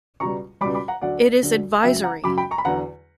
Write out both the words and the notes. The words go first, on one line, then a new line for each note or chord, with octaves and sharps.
It is advisory.
C#2 B2 G3 A#5 C#6
C#2 B2 G3 B5 D6
B5 D6
F#5 A#5
D2 D3 F#3 D5 F#5
D2 D3 F#3
F#2 C#3 F#3 E5 G5
F#5 A#5
F#2 C#3 F#3 B5 D6
G5 B5
A#5 C#6
B5
E2 D3 F#3 F#5 A#5